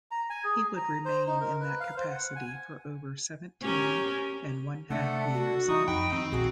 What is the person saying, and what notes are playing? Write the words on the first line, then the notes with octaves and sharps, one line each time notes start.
He would remain in that capacity for over seventeen and one-half years.
A#5
G#5
G#4
A#5
C5
D#4
A#4
B4
F5
C5
F#5
G#5
C#4 G4 A#4
C3 A3 D4 A4 F#5
F#4
E3 D#4 C#6 D#6
F2 D#4 G5 B5
D#3 C4
A#1 F#4 G#4